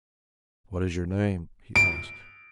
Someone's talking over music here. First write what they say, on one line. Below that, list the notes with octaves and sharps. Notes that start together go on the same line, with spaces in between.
"What is your name?" he asked.
D7